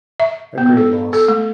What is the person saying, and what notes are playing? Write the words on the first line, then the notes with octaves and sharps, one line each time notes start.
A great loss.
E5
B3
A4
A4
A3